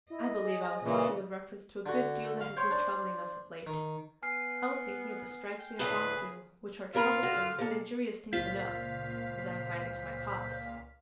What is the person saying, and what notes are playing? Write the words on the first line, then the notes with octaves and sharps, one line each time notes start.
'I believe I was talking with reference to a good deal that has been troubling us of late; I was thinking of the strikes we have gone through, which are troublesome and injurious things enough, as I am finding to my cost.
E4 D#5
G#4
A#2 C#3 E3
D3 F#4
F5
C5 C#5 G5 C6
D4 C5
D#3
B3 G#5 F6 C7
G5
D2 A2 G#4 B4
A#2 F4 A#4 B5
D3 F#4
A#2 A4
C#2 A#2 F4 C5 F5 B6